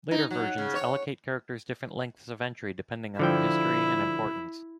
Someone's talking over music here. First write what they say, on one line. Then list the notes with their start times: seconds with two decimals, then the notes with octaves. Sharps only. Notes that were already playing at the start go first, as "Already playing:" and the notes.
Later versions allocate characters different lengths of entry depending on their history and importance.
0.11 D#4
0.31 F#3
0.58 C#3
0.75 C#5
3.19 D3 F3 E4 G5